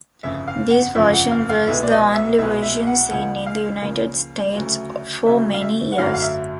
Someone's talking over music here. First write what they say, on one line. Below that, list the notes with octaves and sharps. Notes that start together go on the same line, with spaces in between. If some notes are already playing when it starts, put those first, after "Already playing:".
This version was the only version seen in the United States for many years.
G1 F2 C#3 F3 E5
F5
F#5
G1 F2 C#3 F3 E5
F#5
F5
F5
C2 B2 G#3 B3 E5
D5
D#5
E5
C2 B2 G#3 B3 E5
E5
F#5
C#2 C#3 F3 A#3 F#5
F5
C#2 C#3 F3 A#3
D2 C#3 F#3 A3
D2 C#3 F#3 A3 E5
F5
E5
F#5
G#1 F#2 D3 F#3 A3 F5
F5
E5